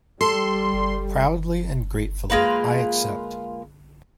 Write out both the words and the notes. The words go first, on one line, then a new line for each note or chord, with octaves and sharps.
Proudly and gratefully I accept.
G3 A4 C6
G#3 A#3 F4 B4